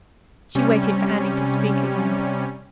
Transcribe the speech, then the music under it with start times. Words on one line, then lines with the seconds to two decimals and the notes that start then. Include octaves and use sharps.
She waited for Annie to speak again.
0.55 C3 G3 C#4